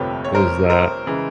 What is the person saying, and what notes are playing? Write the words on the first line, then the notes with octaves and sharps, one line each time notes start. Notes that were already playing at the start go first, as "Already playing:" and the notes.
it was that.
Already playing: G1 F2 C3 F3 A3 B4 C#5 G5
C#5
A#4 C5
A#4 C5
C#3 E3 G#3